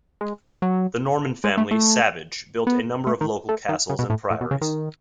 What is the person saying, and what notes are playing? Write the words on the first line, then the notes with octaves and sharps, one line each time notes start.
The Norman family Savage built a number of local castles and priories.
G#3
F#3
G#3
A3
A3
B3
A3
D#3
A3
D#3
C#3
B2
A2
A2
B2
C#3
D#3